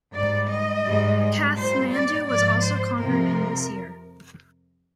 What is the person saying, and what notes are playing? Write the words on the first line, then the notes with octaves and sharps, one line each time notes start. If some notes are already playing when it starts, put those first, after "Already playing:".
Kathmandu was also conquered in this year.
G#2 G3 D5
D#5
G#2 G3
A#2 G3 C5
D5
G#2 F3 D5
C5
F2 C3 F3 A#4